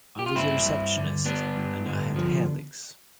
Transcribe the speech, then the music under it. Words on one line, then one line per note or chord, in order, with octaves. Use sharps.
I was a receptionist, and I had hair licks.
G4
F4
G2 C4 E4
G2
D3
G2 B3 D4
G2
D3
F3